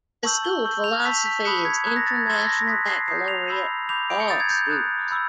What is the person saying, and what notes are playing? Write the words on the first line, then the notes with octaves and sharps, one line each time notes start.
The school philosophy is International Baccalaureate for all students.
A5 C#6 E6 G6 F#7
G7
C#6 E6 G6
F7
A5 C#6 E6 G6 B6
B6
B5 D#6 F#6 C#7
G#6
A#5 D#6 F#6 G#6
A#6
A6
G#6
A5 C6 E6 G#6
A#6
A#6
C6 D#6 F#6 B6
C7
A#5 D#6 G6 C7
F7
B5 E6 G6
B5 D6 G6 F7
D7
C#7
A#5 D#6 G6 A6
G#6
G6
A#5 D#6 F#6
B5 E6 G6